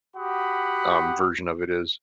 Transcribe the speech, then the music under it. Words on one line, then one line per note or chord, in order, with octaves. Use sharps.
um, version of it is.
F#4 G4 F#5 B5 D#6